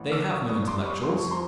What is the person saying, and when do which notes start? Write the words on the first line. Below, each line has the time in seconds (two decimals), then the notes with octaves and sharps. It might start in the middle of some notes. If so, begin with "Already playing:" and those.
They have no intellectuals....
Already playing: A1
0.12 D6 E6
0.21 D3
0.30 C#6 D#6
0.48 G2 C#6 D#6
0.67 C6 D6
0.76 G3
0.85 B5 C#6
1.03 F2 C6
1.17 C#6
1.31 F3 A#5 C6